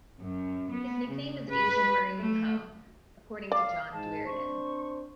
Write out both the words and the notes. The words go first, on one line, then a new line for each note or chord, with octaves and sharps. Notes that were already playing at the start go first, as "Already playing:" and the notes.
His nickname is 'Asian Mourinho' according to John Duerden.
F#2
B3
C#3
B4
A3
D5 F5
G#2 G#3 A5
C4 D4 C5 C#6